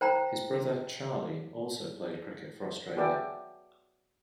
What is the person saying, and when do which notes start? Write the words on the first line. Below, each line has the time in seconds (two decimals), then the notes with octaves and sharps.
His brother, Charlie, also played cricket for Australia.
0.01 C5 G5 A#5
2.97 F#4 G#4 B4 D5 E5 G5